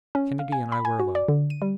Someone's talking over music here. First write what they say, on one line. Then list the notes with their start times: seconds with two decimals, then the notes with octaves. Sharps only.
Kennedy and I were alone.
0.15 C#4
0.39 F5
0.52 G#5
0.72 B5
0.85 G#5
1.00 F#4
1.15 D5
1.28 D3
1.50 D#7
1.62 G3